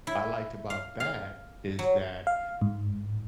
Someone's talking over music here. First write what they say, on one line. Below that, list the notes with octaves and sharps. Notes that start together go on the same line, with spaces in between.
I liked about that, is that,
E4
F5
F5
F#3
F5
G#2